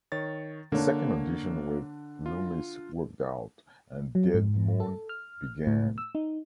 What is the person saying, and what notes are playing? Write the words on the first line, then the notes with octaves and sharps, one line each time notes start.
A second audition with Loomis worked out, and Dead Moon began.
D#3 C#5 A6
D3 A#3 D4 C#5
F4
F#3
G#2
A4
F6
A2
E6
D#4